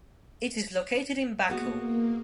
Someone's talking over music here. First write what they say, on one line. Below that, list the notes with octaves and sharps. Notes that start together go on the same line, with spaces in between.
It is located in Baku.
G#3 A#3 B3 F#4